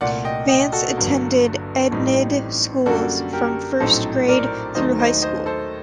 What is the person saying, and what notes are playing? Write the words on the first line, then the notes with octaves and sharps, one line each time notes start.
Vance attended Enid schools from first grade through high school.
C2 A#2 A3 D5 F#5
D#5 G5
D#5 G5
F#4 A4
G1 G2 F#3 A#3
A1 A2 G3 C4 D#4
F#2 D3 G3 A#3 D4 F#4 A4
G4 A#4
A#1 A2 F#3 C4 D#4 A4 C5
A#4 D5
D#2 D#3 F#3 A3 D#4 C5 D#5
C5 D#5
C5 D#5
A4 C5